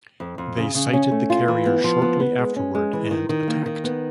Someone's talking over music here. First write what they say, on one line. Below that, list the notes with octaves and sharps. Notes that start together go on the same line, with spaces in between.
They sighted the carrier shortly afterward and attacked.
F2
F2
C#3
C#3
C#4
A3
F4
E3
B3
F3
B3
B3
G#3
C#4
G#3
E3
D#3
D#3
A#3
D#3
B3